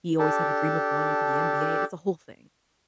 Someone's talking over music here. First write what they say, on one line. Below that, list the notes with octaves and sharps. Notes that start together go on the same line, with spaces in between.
he always had a dream of going into the NBA it's a whole thing.
D4 G4 A4